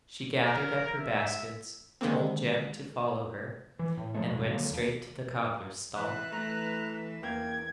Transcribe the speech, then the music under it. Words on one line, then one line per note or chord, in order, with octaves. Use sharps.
She gathered up her baskets, told Jem to follow her, and went straight to the cobbler's stall.
A#4
E5
D3 D#3 G#3 A#3 C4
E3
A2
F3 F#3 G#3 A3
E1 B2 G#3
D3 F#3 A#3
D#2
E3 B4 E5 F#6
A3 A#5
E2 A#3 G5 G#6